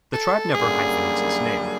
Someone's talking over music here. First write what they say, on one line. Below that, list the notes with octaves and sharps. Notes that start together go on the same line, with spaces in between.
The tribe never hyphenates its name.
A4
F#2 D3 G3 A#3 G#4